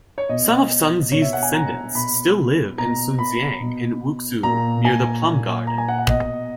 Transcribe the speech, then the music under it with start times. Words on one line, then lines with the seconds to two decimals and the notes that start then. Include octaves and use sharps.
Some of Sunzi's descendants still live in Sunxiang in Wuxi near the Plum Garden.
0.18 C#5
0.29 B2 D#5
1.12 B2 C#5
1.22 E5
1.33 F#5
1.42 G#5
1.54 A#5
1.95 B2 B5
2.78 B2 A#5
3.19 B5
3.60 B2
4.43 A#2 A#5
4.85 G#5
5.26 A#2
5.67 A#5
5.78 G#5
5.88 F#5
5.98 F#5
6.09 B2 D#5